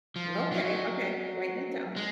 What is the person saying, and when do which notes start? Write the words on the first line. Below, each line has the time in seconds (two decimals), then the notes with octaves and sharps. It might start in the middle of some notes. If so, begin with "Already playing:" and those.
Okay, okay, writing it down.
0.16 F3
0.52 F#3
1.96 G#3